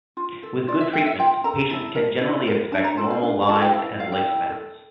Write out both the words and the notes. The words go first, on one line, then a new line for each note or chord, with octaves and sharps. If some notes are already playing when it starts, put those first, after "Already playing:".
With good treatment patients can generally expect normal lives and lifespans.
F4
A4
F4 D5
E5
A4 G5
E5
F4 G5
A4 A#5
E4 A5
A#4
E4
A#4
D4 A5
A#5
F4 A4 A5
F5
D4 F5
F4 A4 A5
G5
E4 F5
A4 F5
G5
E4
A4